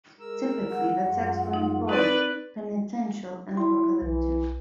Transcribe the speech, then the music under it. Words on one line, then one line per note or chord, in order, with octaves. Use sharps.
Typically the texts were imploring, penitential, and apocalyptic.
G#3 A#4 E6
F#5
F#2 G#3 F4
D#4
C4 D#4 B4 D5
E4 C6
B1 E3